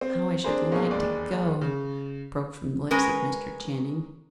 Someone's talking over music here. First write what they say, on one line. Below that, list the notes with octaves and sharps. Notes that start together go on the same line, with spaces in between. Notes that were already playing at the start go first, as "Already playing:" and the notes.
"How I should like to go!" broke from the lips of Mr. Channing.
C4
C4 D4 G#4 A#4 C5
G#2 B2 G#3 A#3 C#4
E1 D#2 G#3 D5
C#3
G#3 C#4 A#4 B4